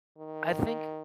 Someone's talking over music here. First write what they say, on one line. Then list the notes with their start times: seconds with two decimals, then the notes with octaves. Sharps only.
I think
0.18 D#3